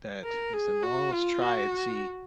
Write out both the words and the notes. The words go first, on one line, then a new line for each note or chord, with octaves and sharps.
that they said, "Well, let's try and see
A#4
G#4
F#4
F4
F#4